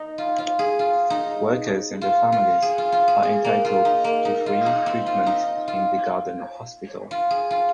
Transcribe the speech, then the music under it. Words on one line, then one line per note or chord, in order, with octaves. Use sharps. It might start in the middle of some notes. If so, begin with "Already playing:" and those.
Workers and their families are entitled to free treatment in the garden hospital.
Already playing: D#4
F4
F4
G#4
F4
D#4
F4
F4
G#4
F4
F4
G#4
G#4
A#3
F4
D#4
A#3
D#4
F4
D#4
C4
F4
D#4
F4
F4
G#4
F4